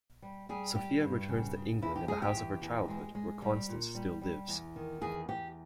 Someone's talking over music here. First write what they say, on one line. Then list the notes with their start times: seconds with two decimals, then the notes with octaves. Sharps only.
Sophia returns to England and the house of her childhood, where Constance still lives.
0.22 G3
0.49 G3 G#4
0.75 G3 G4
1.03 G2
1.28 C#3
1.56 C#3
1.82 E2 E4
1.96 G4
2.08 G#3 G#4
2.22 G4
2.35 E2
2.62 E2
2.88 G#3
3.15 G#3
3.42 G3
3.69 A#2
3.95 G3
4.21 G3
4.48 E2
4.76 D#3
5.01 E2 G#4
5.29 E2 G4